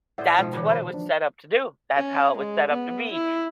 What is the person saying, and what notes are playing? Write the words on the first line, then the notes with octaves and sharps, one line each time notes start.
that's what it was set up to do. That's how it was set up to be,
A2 G#4 C5 D5 E5 F#5
B2 D#3 F3 G#3
A#2 D3 E3 F#4 B4
G#4 C5 B5
F3 D4
C#4
G#3
B3
E4